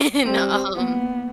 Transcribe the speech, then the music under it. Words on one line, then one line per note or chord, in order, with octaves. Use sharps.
And, um
G3 C4
A#3 B3